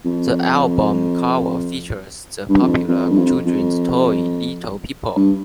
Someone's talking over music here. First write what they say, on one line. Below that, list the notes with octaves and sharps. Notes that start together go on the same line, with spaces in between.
The album cover features the popular children's toy Little People.
F2
G2
F2
F2
G2
F2
F2
G2